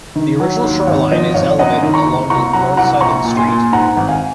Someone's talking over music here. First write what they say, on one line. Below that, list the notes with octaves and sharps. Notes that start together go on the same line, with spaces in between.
The original shoreline is elevated along the north side of the street.
D#3
F#3
D#2
G#1 C#5 F5
F3 C5 D#5
G#1 C#5 F5
F#2 D#5 F#5
D#3
A#5 C#6
F#1
C2 A#5 C#6
F#3 F#5 A#5
C2 F#5 A#5
A#1 A#5 C#6
A#2
G#5 C6
A#2
G#2 F#5 A#5
G#1
F5 G#5